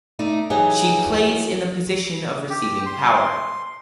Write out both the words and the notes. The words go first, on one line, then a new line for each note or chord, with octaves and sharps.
She plays in the position of receiving power.
A3 D#4 D5
E3 F#3 D#4 G4 G#4
G4
C6